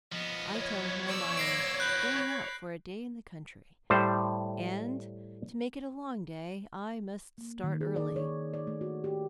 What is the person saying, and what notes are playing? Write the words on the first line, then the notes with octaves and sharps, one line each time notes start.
I tell him I am going out for a day in the country, and to make it a long day, I must start early.
F3 B3 D#5
C#5
D5 E6
A#6 C7 D7
B5 F#6 G6
A2 G3 C5
A#3
D#3
G#4
D5
C#5
D5
A3
F#4
G4